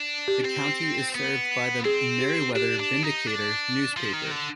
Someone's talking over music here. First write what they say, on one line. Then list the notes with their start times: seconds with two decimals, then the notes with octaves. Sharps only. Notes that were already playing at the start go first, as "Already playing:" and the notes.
The county is served by the "Meriwether Vindicator" newspaper.
Already playing: D4
0.28 G4
0.45 C4
1.15 B3
1.85 C4 G#4
2.20 G4
2.55 D4 G4
2.79 D4
3.03 D#4
3.26 D4
3.97 F3
4.13 D#3
4.31 D3